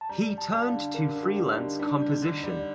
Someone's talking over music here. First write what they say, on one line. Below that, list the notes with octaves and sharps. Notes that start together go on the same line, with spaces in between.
He turned to freelance composition.
A5
G3 A#5
G3
A5
G3
F5
D3
D3 A#4
D3
G4
G3
D#4
D3
G3 D4
G3
D#4
D3
D#4
G3